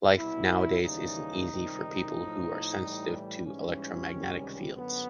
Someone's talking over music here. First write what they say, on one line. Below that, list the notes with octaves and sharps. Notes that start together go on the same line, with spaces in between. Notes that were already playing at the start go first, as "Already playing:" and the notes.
Life nowadays isn’t easy for people who are sensitive to electromagnetic fields.
C2 B2 G3 E4
D#2 C#3 E3 G3 D#4
C#2 C3 D#3 G3
A2 F3
A2 E3 G3
G#2 E3 G3 C#4
C#2 C3 D#3 G3
F#2 D3 F#3 B3